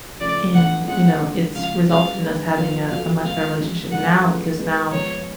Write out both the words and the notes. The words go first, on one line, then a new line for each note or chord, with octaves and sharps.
and, you know, it's resulted in us having a a much better relationship now because now
C#3 F3 A3 D5
A2 F3 B3 D4 F4 F#5
G#3 C#4 F4 G#4 F#5
D3 G#3 D4
C#3 F3 G#3 F5
B2 G#3 C#4 G#4 B4 F5
G#3 D4 G#4 B4
F3 B3 F4 B4 F5
F3 B3 F#4 A4 F5
G#3 B3 F4 F5
B2 G#3 C#4
D3 F3 G#3 F#5
A3 C#4 F4 G#4 B4
G#3 B3 F4 G#4 B4
F3 G#3 B3 C#5